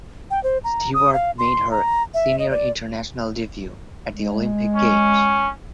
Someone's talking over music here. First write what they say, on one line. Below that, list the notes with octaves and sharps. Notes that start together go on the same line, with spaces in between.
Stewart made her senior international debut at the Olympic Games.
G5
C5
A#5
D#6
F5
C6
A#5
E5
D#5
D5
G#3
C#4